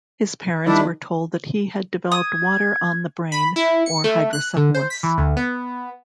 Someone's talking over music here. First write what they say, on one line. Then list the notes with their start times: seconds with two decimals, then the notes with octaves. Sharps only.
His parents were told that he had developed "water on the brain" or hydrocephalus.
0.66 D#3 G3 D4 E4
2.12 D#6 G#6
3.32 B5
3.56 E4
3.86 C#7
4.04 A3
4.33 F#6
4.56 D3
4.75 C5
4.90 B6
5.03 E3
5.18 D2
5.37 B3